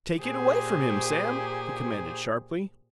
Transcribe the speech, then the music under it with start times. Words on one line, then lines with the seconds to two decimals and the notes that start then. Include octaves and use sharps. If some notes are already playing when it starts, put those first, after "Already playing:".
"Take it away from him, Sam!" he commanded sharply.
0.22 A#2 G4 G#4 C5